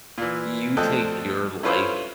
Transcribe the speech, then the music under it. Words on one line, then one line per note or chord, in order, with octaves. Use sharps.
you take your life
A#2 E3
D2 F3 A4 D#5 G5 F#6
C#4 E4 F4 A4 B4 C5